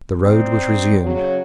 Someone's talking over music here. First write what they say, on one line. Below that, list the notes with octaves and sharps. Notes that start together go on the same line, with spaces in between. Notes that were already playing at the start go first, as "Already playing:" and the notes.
The road was resumed.
C4 D#4 D5
C#3 F#3